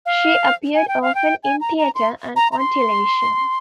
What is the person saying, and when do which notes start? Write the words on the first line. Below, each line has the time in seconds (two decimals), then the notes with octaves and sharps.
She appeared often in theatre and on television.
0.06 F5
0.75 G#5
0.88 G5
1.02 F5
1.15 G5
1.44 G#5
1.61 A#5
1.78 A#5
1.95 C6
2.36 A#5
2.52 A#5
2.59 C6